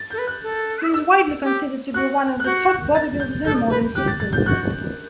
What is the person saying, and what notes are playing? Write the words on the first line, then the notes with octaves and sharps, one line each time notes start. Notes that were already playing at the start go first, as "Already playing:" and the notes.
He is widely considered to be one of the top bodybuilders in modern history.
Already playing: A6
A4 G6
B4
F#6
A4
E6
G4
F#4 F#6
F#6
F#4 G6
A6
G6
A4 G6
B4
G4 F#6
A6
A6
G6
F#4 F#6